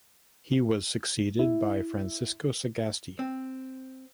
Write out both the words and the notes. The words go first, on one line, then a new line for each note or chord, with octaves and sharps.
He was succeeded by Francisco Sagasti.
E4
C4